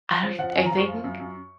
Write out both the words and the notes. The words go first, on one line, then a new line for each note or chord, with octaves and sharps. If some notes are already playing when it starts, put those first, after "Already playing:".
I don't I think
F3
F3 F#5
F#5
F#2 G#5
A#5
F3
C#6
F4
F#2
F#2